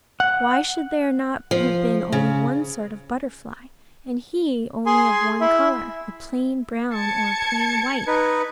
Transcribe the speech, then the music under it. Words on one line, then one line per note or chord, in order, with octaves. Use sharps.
Why should there not have been only one sort of butterfly, and he only of one colour, a plain brown, or a plain white?
F#5
F3
C#3
G#4 G#5 C6
E4 E5
A5 G#6 C#7
D#4 B4